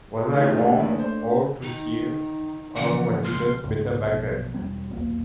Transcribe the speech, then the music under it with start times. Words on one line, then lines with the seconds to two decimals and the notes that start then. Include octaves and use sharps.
Was I wrong all those years, or was he just better back then?
0.33 D#3 E3 A3 F4
0.56 D#2 C3 D4 C#5 D5
0.77 F1 A#1
0.95 A4 C5
1.62 D#3 D#4
2.75 C#3 E3 F3 F#5
3.25 C#2 C6 F6
3.64 C#2 G#2
4.00 A#1 B2
4.54 E1 G3 C4
4.90 D#1 B1 E2 A#3